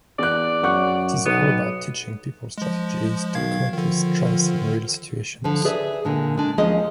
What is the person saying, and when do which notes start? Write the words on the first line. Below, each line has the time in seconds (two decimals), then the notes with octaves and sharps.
It is all about teaching people strategies to cope with stress in real situations.
0.19 E2 D5 F#6
0.63 F#2 F#5 C#6 F#6
1.25 B1 B3
2.58 F3 G#3
3.35 B1 D#3 F5 G#6
3.74 D3 D#3 F3
5.44 D3 F3
5.65 G#4 B4 D5 E5
6.05 A#2 D3 G#3
6.38 G#3 D4
6.58 D#2 F3 G#3 C#4 D#5